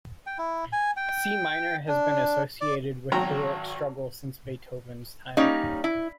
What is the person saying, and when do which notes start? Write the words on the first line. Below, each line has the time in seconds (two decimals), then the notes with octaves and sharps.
C minor has been associated with heroic struggle since Beethoven's time.
0.27 G5
0.38 E4
0.73 G#5
0.97 G5
1.88 D4
2.61 D5
3.12 G#1 F#3 F#4 G5 A#5
5.37 G3 A#3 C#4 D#4
5.84 E4